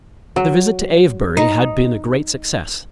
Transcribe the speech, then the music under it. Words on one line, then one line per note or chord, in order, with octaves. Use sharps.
The visit to Avebury had been a great success.
F#3
D#4